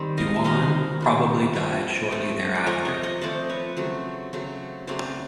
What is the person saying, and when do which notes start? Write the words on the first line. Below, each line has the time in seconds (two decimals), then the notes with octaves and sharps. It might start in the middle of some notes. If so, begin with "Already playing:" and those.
Yuan probably died shortly thereafter.
Already playing: D#3 G3 C4
0.18 D#5 F5
0.36 E5
0.44 D#3 G3 C4 D#5 F5
1.01 D#3 G3 C4
1.55 F3 A3 C4 B4 C#5
2.11 F3 A3 C4
2.55 D5
2.66 F3 A3 C4 C#5 D#5
2.85 C#5 D#5
3.03 C#5 D#5
3.21 F3 A3 C4 C5 D5
3.49 B4 C#5
3.77 C#3 F#3 A3 C4
4.33 C#3 F#3 A3 C4
4.87 C#3 F#3 A3 C4 C5 D5